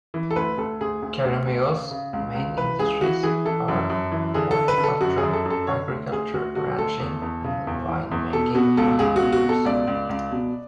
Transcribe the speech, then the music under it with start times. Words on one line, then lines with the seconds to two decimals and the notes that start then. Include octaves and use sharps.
Keremeos' main industries are horticulture, agriculture, ranching, and wine making, among others.
0.14 E3
0.31 A4
0.36 D2 B4
0.57 D2 A4
0.81 D2 G#4
1.02 D2
1.25 D2
1.46 D2
1.69 C#3
1.91 C#3
2.13 C#2
2.35 C#2
2.57 E3 B4
2.79 C#2 G#4
3.01 E3 F#4
3.23 E3 G#4
3.45 E3 A4
3.68 F#2
3.90 F#2
4.12 E3
4.34 D3 G#4
4.51 A4
4.57 D3
4.68 B4
4.78 D3
4.84 A4
5.01 F#2 F#4
5.17 G#4
5.23 F#2
5.33 A4
5.45 F#2 A4
5.67 D3 C#5
5.89 D2
6.12 D2 G#4
6.34 D2 F#4
6.55 D3 F#4
6.78 D2 A4
7.00 E2
7.22 E2
7.44 C#3
7.67 E2
7.88 E3
8.11 E2
8.33 B2 A4
8.55 B2 F#4
8.77 C#2 A4
8.99 C#2 G#4
9.16 F#4
9.21 B2
9.32 F#4
9.44 B2
9.49 A4
9.65 C#2 D5
9.87 C#2
10.09 C#2
10.32 B2